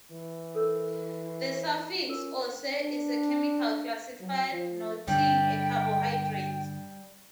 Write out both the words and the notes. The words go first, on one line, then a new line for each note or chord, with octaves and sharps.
The suffix "-ose" is a chemical classifier, denoting a carbohydrate.
E3
A4 A#4 C#5
C#4 F4 A#4
D4
F#3
F3
G2 D3 G3 G5